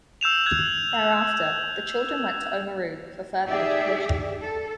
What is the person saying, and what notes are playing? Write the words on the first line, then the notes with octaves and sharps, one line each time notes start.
Thereafter, the children went to Oamaru for further education.
E6 G6 E7 F7
F#6 G#6
D#4 G4 G#4 D5 E5
A4